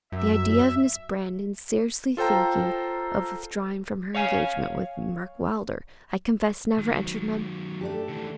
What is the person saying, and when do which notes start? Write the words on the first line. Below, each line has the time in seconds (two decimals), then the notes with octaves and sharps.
The idea of Miss Brandon's seriously thinking of withdrawing from her engagement with Mark Wylder, I confess never entered my mind.
0.12 F#2 E5
2.17 F4 A4 C5 G5 A#5
4.15 C#5 F5 G#5
6.78 D#3 F#3
7.81 A3 D4 G4
8.08 D3 E3